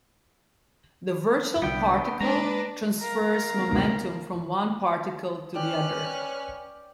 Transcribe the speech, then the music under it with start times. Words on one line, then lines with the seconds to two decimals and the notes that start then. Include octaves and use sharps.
The virtual particle transfers momentum from one particle to the other.
1.62 C2 D3 G3 B3 D4 G5
2.21 G#3 A#3 D4 B4 A#5
3.01 A#4 F5 A#5
5.55 C#4 B4 D5 G5 F6 F#6